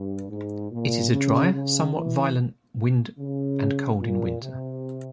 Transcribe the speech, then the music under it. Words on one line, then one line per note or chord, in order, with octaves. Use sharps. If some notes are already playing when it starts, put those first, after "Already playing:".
It is a dry, somewhat violent wind and cold in winter.
Already playing: G2
G#2
A#2
C#3
C#3
E3
C#3
A#2
C3